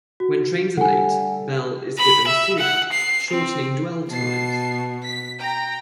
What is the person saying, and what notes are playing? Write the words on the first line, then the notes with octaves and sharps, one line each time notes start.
When trains are late, bell is given sooner, shortening dwell times.
F#4
D3 G3 A4 F#5 G#5
B5
E5
F#5
C7
C4
B2 A5 C7
B6
G5 A#5 A#6